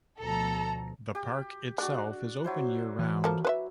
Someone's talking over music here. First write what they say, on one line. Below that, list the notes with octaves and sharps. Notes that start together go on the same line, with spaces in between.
The park itself is open year-round.
D2 B2 F3 A4 A#5
G4
G#3 D4 F#4
F#3 E4 C5
E3
F3 A#3 A4
B4 C5 E5